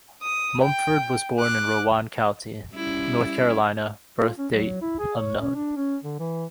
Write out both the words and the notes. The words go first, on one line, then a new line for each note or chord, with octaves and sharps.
Mumford was born in Rowan County, North Carolina, birth date unknown.
D#6
G5
D6 F#6
G3 C#4 E4
F4
C#4
F#3
E4
G#4
C#5
C#4
D4
C#4
D3
E3